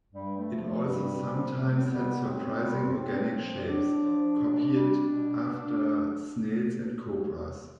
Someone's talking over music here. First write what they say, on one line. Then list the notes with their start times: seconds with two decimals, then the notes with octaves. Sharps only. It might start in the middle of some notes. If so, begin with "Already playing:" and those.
It also sometimes had surprising organic shapes, copied after snails and cobras.
0.13 G2 G3
0.37 A3
0.48 F3
0.61 A3
0.84 G2 G3
1.19 F3
1.55 A2 A3
1.79 B3
1.91 G3
2.02 B3
2.25 A2 C4
2.61 G3
2.95 A2
3.32 F3
3.66 A2 D4
4.01 F3
4.36 B2
4.72 G3
5.07 B2